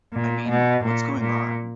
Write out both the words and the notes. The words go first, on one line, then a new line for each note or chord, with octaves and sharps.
I mean 'what's going on?
A#2
B2
A#2
A#2